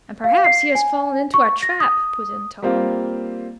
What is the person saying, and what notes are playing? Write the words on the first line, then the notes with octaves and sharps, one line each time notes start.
"And perhaps he has fallen into a trap," put In Tom.
F5
C7
G#5
C#6
A#6
D#6
G3 A#3 C4 F4